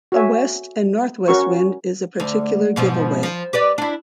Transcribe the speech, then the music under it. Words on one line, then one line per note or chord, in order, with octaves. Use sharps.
A west and northwest wind is a particular giveaway.
F#4 A4 C#5 E5 G#5
C#4 F#4 A#4 C#6
D2
G#2 B2 F3
F3
G4 B4 D5
D4 E4